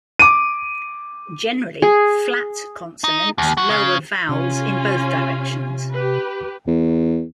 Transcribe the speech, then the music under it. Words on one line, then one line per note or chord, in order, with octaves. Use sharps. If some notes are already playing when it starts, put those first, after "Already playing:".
Generally, "flat" consonants lower vowels in both directions.
D6 D#7
G#4
D#4
D#2
E2 F#4
C#3
C3 C#4 F4 G#5
G4 B4
E2